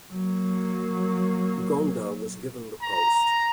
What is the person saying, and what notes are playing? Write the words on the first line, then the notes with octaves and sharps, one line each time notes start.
Ghonda was given the post.
F#3 A#3
A#5